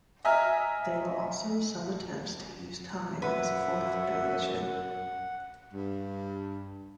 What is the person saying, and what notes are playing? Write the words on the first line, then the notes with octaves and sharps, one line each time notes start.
There were also some attempts to use time as a fourth dimension.
D#5 E5 G#5 A#5 F6
F#2 B4 E5 F#5
G2